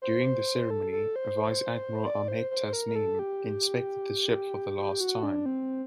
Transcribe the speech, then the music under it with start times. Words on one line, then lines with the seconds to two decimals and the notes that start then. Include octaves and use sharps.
During the ceremony Vice Admiral Ahmed Tasnim, inspected the ship for the last time.
0.02 C5
0.70 A4
0.92 A4
1.16 C5
2.06 D5
2.28 C5
2.51 C5
2.73 A#4
2.88 A#4
2.96 A4
3.19 G4
4.77 G4
5.00 F#4
5.23 D4
5.46 C4